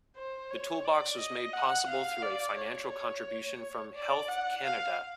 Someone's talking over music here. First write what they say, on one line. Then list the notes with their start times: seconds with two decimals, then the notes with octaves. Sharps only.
The toolbox was made possible through a financial contribution from Health Canada.
0.17 C5
0.51 C#5
0.85 D5
1.19 D#5
1.53 F#5
1.88 F5
2.23 D5
2.57 C#5
2.91 C#5
3.95 D5
4.29 F#5
4.64 F5